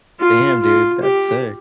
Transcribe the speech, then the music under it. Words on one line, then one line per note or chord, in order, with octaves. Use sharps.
Damn, dude, that's sick.
F4
F4
G4